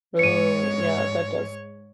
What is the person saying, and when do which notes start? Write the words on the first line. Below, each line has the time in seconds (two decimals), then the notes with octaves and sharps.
Ooh, yeah, that does
0.19 G#2 C#5 C#7 D#7